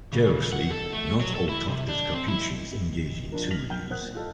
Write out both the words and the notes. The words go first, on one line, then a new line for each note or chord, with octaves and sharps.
Curiously, not all tufted capuchins engage in tool use.
C#3
F#5
A4
A3
F#3
A4
E4
C3
D4
C4
E4
F3 D4 A#4
F6 A#6 B6 F7 F#7
G5 F6 G6 G7
A#4 C5 F#5 D#6 F#6
A#2
F4 A4 D#5